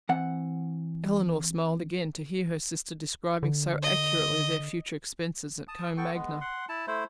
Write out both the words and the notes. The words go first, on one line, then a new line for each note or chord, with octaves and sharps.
Elinor smiled again, to hear her sister describing so accurately their future expenses at Combe Magna.
E3 C4 F#5
D3
D#5
A5 D#6
B3 A4 G5 C#6
G#3 B3
F#5 C6
E4 A5
A3 E4 C5